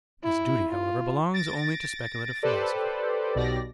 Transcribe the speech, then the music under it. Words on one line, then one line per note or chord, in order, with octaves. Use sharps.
This duty, however, belongs only to speculative philosophy.
E4
F4
A6 A#6 D7
G4 A4 B4 C5 D5
B1 B2 G4 D5 A#6